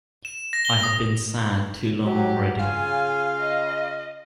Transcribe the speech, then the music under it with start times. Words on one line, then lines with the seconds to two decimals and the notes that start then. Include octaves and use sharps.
I had been sad too long already.
0.25 E7
0.53 A#6
0.65 G7
0.83 D#6
2.05 F#3 G4
2.60 C#3 F4 F5 G#5
3.39 D#5